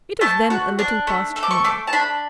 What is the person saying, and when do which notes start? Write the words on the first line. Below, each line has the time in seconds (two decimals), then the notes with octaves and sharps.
It was then a little past noon.
0.21 A3 A5
0.50 F#4
0.79 D4
1.07 A3
1.36 A4
1.43 D6
1.51 C#6
1.64 A3 D6
1.87 A5
1.93 D4 B5